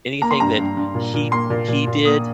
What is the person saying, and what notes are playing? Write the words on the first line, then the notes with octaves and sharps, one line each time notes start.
Anything that he he did,
A#3 A#5
C6
G2 A#5
G2
G2
A#2
A#2
A#3 C6
A#2
A#2
A#2
A#3 D#6